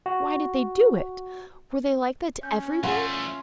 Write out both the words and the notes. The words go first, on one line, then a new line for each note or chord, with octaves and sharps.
Why did they do it? Were they like that to everyone?
F#4
C#4 G6
E2 A3 F4 F5 F#5 B5